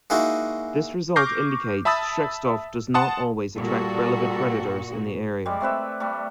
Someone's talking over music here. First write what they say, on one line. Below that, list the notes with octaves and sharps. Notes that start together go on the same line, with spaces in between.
This result indicates schreckstoff does not always attract relevant predators in the area.
G#3 A#3 D#4 E4 F#4
C#6 D6 F6 G6 A#6 C7
E5 A5 B5 D#6 E6 A6
F#5 A5 C6 D#6
A#2 G3 F#4 A4
G3 G#3 D5
A3 C4 B4 E5
G3 A3